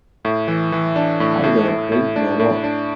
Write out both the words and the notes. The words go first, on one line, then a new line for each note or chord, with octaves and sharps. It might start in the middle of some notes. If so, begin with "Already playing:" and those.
I don't drink no more.
A2
E3
E3
D4
A2
A2
A2
A2
D4
A2
D4